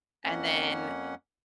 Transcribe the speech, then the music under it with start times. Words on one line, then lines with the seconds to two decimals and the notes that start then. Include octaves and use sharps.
And then,
0.25 F2 A#3 C#4 F#5